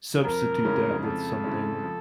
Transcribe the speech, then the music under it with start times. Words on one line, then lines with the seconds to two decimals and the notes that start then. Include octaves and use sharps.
substitute that with something
0.24 F2 A#4
0.64 C#3 E3 G#3 C#4
1.04 F2 A4
1.44 C#3 E3 G#3 C#4
1.84 F3